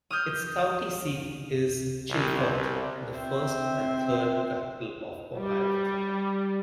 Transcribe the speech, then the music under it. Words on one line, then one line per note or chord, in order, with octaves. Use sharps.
Its county seat is Chillicothe, the first and third capital of Ohio.
D#6 F6 G6
C2
C2
C4 C5 E5
G3